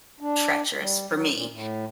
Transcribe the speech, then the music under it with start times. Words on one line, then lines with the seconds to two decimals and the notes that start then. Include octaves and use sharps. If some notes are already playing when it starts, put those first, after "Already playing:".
treacherous for me,
0.20 D4
0.78 G3
1.08 F#3
1.31 A#2
1.51 A2